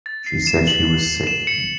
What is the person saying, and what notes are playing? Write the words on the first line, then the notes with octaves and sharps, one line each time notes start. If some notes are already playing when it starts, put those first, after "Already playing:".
She said she was sick.
A6
C7
E7
F#7
E7
C#7